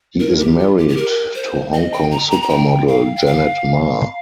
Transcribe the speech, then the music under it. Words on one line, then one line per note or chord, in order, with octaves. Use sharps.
He is married to Hong Kong supermodel Janet Ma.
A#4
G4
F4
G4
G4
A#4
C5
D#5
G5
A#5
A#5
A#5
G5
F5
G5
F5